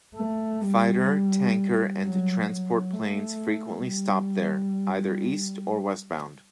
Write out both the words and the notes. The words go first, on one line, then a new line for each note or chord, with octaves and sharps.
Fighter, tanker and transport planes frequently stopped there, either east or westbound.
A3
G3
F#3
F#3
A3
G3